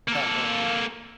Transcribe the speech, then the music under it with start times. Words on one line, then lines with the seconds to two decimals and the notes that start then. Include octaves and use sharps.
Oh, go ahead.
0.08 A#3 A4